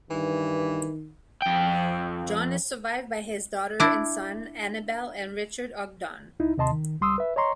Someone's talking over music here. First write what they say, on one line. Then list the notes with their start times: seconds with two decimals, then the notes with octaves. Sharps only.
John is survived by his daughter and son, Annabel and Richard Ogdon.
0.10 G2 D#3 E3
1.42 F2 G5
3.80 D4 E4
6.40 C#2 D#4 E4
6.58 D#2 C3 D#5 A5 C6
6.72 D#3
7.01 C#2 G3 C6 D#6 E6
7.18 B4 E5
7.36 C#5 D#5 A#5 C6 C#6